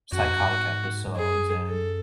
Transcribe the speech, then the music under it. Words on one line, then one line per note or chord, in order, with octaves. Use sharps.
psychotic episodes, and
F#2 F#4
E2
F#2
G#2
G#2
F#2 G#4
A4